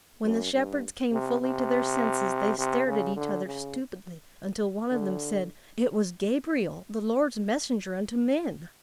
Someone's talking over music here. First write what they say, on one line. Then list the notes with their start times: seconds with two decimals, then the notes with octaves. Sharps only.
When the shepherds came fully to their senses, they stared at each other stupidly, until one of them said, "It was Gabriel, the Lord's messenger unto men."
0.24 F#2
0.53 G2
1.12 C3
1.41 C3
2.58 C3
2.86 C#3
3.16 D3
3.45 C#3
4.91 D3